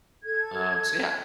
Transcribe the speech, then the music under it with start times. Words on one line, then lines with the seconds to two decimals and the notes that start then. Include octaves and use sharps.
Um, so yeah.
0.23 A4 G#6